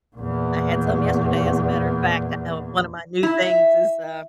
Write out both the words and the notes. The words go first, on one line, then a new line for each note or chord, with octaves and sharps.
I had some yesterday, as a matter of fact, uh, one of my new things is, uh,
E2 A#2
E4
E5